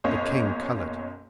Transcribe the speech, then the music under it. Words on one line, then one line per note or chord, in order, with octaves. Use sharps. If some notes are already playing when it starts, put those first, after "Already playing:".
The king colored.
F#1 B1 C#5 D#5